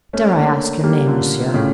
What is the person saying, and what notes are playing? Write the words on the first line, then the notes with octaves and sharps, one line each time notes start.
Dare I ask your name, monsieur?'
A3 C#4
A#3 D4
G3 A#3
A#2 D3
A#2
A2 C#3